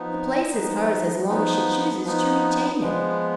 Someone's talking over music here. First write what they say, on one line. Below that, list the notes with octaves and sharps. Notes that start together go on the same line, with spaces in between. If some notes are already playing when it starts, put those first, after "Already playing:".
The place is hers as long as she chooses to retain it.
Already playing: F3 B3 D#4
F3 B3 D#4
F3 B3 D#4
F3 B3 D#4
F3 G#3 B3